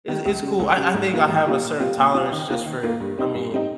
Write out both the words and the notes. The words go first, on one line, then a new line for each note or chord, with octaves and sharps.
is is cool. I I think I have a certain tolerance just for I mean
D#3 G3
C#2
C#3 G3
C#2
C#3 G3
G#2
G3 A#3 F4 A#4
G#2
G3 A#3 F4 A#4
A#2
G3 C4 F4
A#2
G3 C4 F4
D#3
A#3 F4 A#4
D#3
A#3 F4 A#4
G2
G3 C4 D#4
G2
G3 C4 D#4